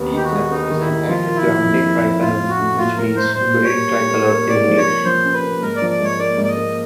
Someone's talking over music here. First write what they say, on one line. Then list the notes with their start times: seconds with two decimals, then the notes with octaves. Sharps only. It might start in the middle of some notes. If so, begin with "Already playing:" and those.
The anthem is entitled "Grande Tricolor", which means "Great Tricolor" in English.
Already playing: D#2 B3
0.13 D#3 G4
0.23 F#4
0.32 G#3
0.50 B3 D#4
0.70 D#3
0.80 E4
0.89 D#3
1.08 F3 F4
1.27 A#3
1.36 E4
1.45 F3
1.64 F2
1.83 F3
2.02 F2
2.21 A2 F4
2.41 A2
2.49 F#4
2.60 A3
2.77 A2 F4
2.97 A2 A#4
3.16 A2 C5
3.35 A#2 C5
3.53 G3
3.64 C#5
3.73 A#3
3.91 G3
4.10 A#3
4.29 A#3
4.48 C3 D5
4.68 F3
4.77 C#5
4.86 A#3
5.05 F3 C5
5.24 C#4
5.33 B4
5.43 A#3
5.61 G#2 A#4
5.76 D5
5.82 F3
5.90 D5
6.00 G#2 C#5
6.19 A#3 D5
6.37 G#2
6.44 D5
6.48 D#5
6.56 A#3